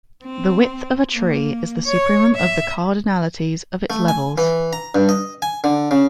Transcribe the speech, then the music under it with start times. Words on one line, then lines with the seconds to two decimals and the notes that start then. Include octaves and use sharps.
The width of a tree is the supremum of the cardinalities of its levels.
0.24 C4
1.12 A#3
1.86 C#5
2.36 E5
3.90 A3
4.08 G#5
4.38 E3
4.73 A#5
4.95 G2
5.09 D#5
5.42 G#5
5.64 D3
5.91 C#3